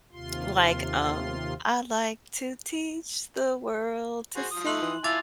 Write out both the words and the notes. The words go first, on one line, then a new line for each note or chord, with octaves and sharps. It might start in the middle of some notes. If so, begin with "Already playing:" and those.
like, um, "I like to teach the world to sing
D#2 C3 F4 C6
F#4 G#4 C5
F3 D#6
A3 C6 F#6 F#7
E3
E4 F4 G#5 A5 D6 A6 F7